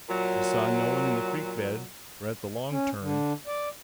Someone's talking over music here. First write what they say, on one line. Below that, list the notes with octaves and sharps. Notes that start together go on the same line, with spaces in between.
He saw no one in the creek bed or at the long turn.
A#2 F#3
C#4
D3
D5